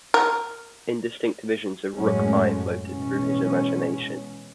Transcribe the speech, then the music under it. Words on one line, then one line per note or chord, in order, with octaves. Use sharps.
Indistinct visions of rook-pie floated through his imagination.
A#4
F#2 A2 F#3 G#3 A3 C#4
B2 E3 G#3 C#4